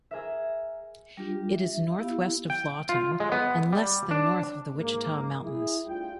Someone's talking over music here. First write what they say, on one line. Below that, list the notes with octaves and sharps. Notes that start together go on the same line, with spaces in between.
It is northwest of Lawton and less than north of the Wichita Mountains.
G#4 A#4 E5
G3 D4 F4 G4
E5
B3 E4 G4 F5
G5
F4
G#3
B3
G3
D4
G#2 G#3 A#3
E4 G#4
D2 G3 F4 G5